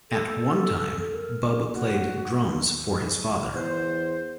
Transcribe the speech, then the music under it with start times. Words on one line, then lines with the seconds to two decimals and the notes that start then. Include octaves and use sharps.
At one time, Bub played drums for his father.
0.10 A4
1.12 A#4
1.72 F#4
3.53 E2 C5